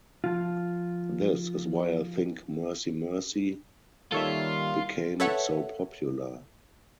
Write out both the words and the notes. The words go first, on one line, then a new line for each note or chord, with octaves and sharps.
This is why I think 'Mercy, Mercy' became so popular.
F3 F4
D#3 G3 A#3 F4 A4 C#5 E5
A4 B4 C#5 E5 F#5